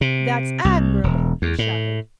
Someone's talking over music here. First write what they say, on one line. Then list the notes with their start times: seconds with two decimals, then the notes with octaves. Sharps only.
"That's admirable!" he shouted.
0.01 C3
0.65 C2
1.04 E1
1.42 E2
1.59 A2